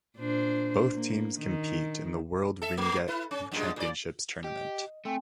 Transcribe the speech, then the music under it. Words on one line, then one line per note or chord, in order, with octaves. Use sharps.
Both teams compete in the World Ringette Championships tournament.
A#2 D4 C5
A#3
D#3
A4 E5
A3
E4 B4
C#4
F#2 A#2 G#3
A#2 D5
G4 D#5
A3 C4 G5 G#5